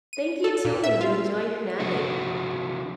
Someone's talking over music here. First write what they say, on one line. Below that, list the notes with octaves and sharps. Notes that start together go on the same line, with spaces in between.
Thank you, too, you enjoy your night.
D#7
A4
A#2
E5
F4
C3 F3 D4 F#4